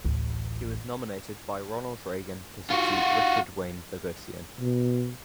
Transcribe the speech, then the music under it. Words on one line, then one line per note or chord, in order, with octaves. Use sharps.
He was nominated by Ronald Reagan to succeed Richard Wayne Bogosian.
A1 D2
F4 F#4
B2